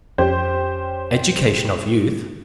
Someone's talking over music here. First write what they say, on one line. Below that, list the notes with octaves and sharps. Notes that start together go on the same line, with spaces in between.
Education of Youth.
F2 C#4 G4 C5